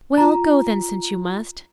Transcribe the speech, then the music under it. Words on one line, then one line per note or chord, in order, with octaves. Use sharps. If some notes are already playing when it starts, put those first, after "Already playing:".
'Well, go then, since you must.
F4 A#5